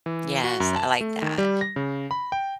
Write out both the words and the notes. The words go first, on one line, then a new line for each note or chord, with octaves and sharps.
Yes, I like that.
E3
F#4
F#2
A5
A3
D#3
G3
A#6
C#3
B5
G5